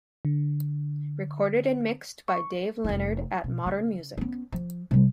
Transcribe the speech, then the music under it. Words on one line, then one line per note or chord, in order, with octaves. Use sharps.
Recorded and Mixed by Dave Leonard at Modern Music.
D3
C#6
F1 E4
B2
C#3
B3 C#4
F3
C3 G3